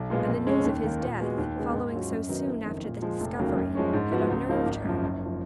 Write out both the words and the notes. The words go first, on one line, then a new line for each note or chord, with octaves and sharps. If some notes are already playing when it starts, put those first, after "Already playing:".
And the news of his death, following so soon after this discovery, had unnerved her.
Already playing: B1
A#2 G#3 B3 F4
F2
C#3 G#3 C#4
D#2
D#3 A#3
A#2
G#3 B3 F#4
D#2
C#3 G#3 B3
G#2
F#3 C#4 F4
F#2
D#3 F#3 B3 D#4
F#1
F2 D#3
A#2
F3 G#3
F1
D#2 C#3 F#3 A#3
F#2
F3 G#3 C#4
G#2
F3 B3 F#4
C#2
C#3 F3 A#3 D#4
G#1
F#2 C#3 F3
F#1
F3